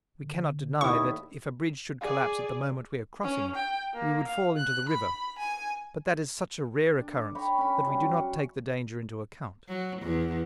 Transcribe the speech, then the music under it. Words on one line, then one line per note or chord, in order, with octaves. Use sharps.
We cannot deny that if a bridge should collapse at the moment we are crossing it, we would fall into the river, but that is such a rare occurrence that we do not take the danger into account.
D3
D#2 A2 E4 D5 E5 C#6 D#6
G#4 D5
C#4
G5
A#3
F5
F#6
B5
G#5
D4
C#6 D6
C#5 G5 A#5 B5
C#4 B5
F#2 G3
F#5
F#3
E2